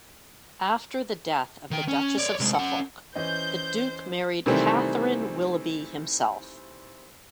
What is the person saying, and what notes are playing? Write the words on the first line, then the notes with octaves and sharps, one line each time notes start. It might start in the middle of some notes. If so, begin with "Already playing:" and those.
After the death of the Duchess of Suffolk, the Duke married Catherine Willoughby himself.
D#3 G5
C#4
C#5 D5
C3 G#3
C#4 F#5
E3 C#4 C5 D#5 G6
C3 D#3 E3 G3 A3 C4